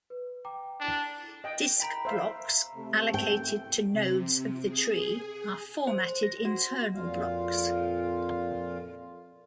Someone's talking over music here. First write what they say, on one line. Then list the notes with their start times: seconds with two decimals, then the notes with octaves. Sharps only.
Disk blocks allocated to nodes of the tree are "formatted internal blocks".
0.10 B4
0.45 G5 A#5 D6
0.80 D4
1.44 D#5 G5
1.80 G5 A#5 B5 B6
2.05 C5 E5 F5
2.75 C3 A3
3.14 G5
3.93 C3
4.68 G#4
5.87 C5
6.23 A#6
6.45 F#4
6.95 F2 A#2 F4 F5